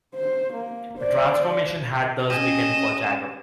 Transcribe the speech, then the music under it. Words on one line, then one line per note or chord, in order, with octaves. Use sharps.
A transformation had thus begun for Jagger.
C5
A#3
C5 D5
A#3 C#4 G4 G#4 D#5 E7